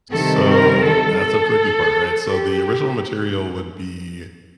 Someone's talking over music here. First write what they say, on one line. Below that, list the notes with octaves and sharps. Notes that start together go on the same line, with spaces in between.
So that's a tricky part, right? So the original material would be
C3 D#3 G3 A4
A#4
A4
A4
G4